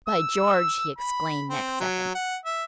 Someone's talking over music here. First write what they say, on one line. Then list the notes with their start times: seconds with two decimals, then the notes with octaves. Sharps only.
"By George!" he exclaimed, next second.
0.08 E6
0.98 B5
1.50 C4
1.81 F#3
2.15 F#5
2.46 E5